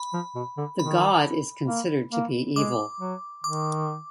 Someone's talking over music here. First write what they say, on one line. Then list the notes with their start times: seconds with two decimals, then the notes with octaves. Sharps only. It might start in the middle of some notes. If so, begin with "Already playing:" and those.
The God is considered to be evil.
Already playing: B5
0.13 F3
0.35 B2
0.57 D3
0.79 D#3 B5
1.67 A#3
2.12 A#3
2.56 G#3 D6
3.00 F#3
3.44 D#3 D6